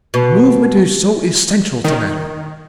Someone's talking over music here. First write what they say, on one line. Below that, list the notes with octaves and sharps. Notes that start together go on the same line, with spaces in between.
Movement is so essential to matter!
B2
D#3